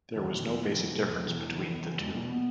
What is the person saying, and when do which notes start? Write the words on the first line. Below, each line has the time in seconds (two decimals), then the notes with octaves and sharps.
There was no basic difference between the two.
0.16 E2 D#3
0.31 B2 E3
0.39 D#3
0.46 E2 E3
0.62 B2
0.77 E2 F#3
0.92 B2 F#3
1.07 E2 E3
1.19 B2 F#3
1.30 E3
1.38 E2
1.54 C#3
1.68 E2 E3
1.83 C#3 F#3
1.99 E2 G#3
2.14 B2 A#3
2.29 B3